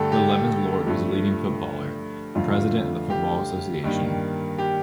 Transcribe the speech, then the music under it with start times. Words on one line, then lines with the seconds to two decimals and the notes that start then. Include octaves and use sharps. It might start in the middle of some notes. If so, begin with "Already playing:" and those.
The eleventh Lord was a leading footballer and President of The Football Association.
Already playing: G2 D3 A3 G4 A4
0.12 G4
0.87 G2 F3 A3
2.35 F2 D3 A3 F4
2.51 F4
3.10 G4
3.84 G2 D#3 G3 A#3
4.58 G4